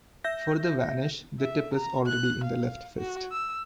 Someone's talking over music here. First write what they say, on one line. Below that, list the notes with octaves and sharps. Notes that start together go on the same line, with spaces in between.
For the vanish, the tip is already in the left fist.
E5 G6 A#6
E5
A#5
F#6
F5
F#4
E6